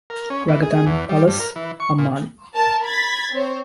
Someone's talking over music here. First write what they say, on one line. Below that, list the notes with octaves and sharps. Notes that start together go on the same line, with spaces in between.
Raghadan Palace, Amman.
A#4
C#4
E3
G#4
E2
G3
G2
A#4
E3
C#6
A#2
A#4 A5
B5 G#6 A6 B6
C4 C5 C#5